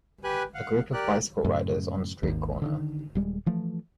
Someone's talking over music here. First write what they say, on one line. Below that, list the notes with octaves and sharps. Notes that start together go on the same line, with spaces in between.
A group of bicycle riders on street corner.
G4 B4 G#5 F#6
F5 F#5
G4 A#4 D5 F#6
F#2 A2 C#3
G#1 D#2
D3 D#3
D#1 G3 G#3
E3 F3 A3